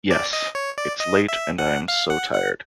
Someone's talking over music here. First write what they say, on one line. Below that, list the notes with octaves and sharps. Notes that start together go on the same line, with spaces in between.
Yes; it's late, and I'm so tired.
D5
D#5
C#5
D5
D#5
E5
F#5
F5
F#5
F#5